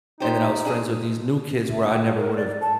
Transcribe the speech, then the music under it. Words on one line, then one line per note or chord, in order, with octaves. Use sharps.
and then I was friends with these new kids where I never would've
D#4 G4 C5
D4 G#4
E5
G5
F4
A#4
D5
A5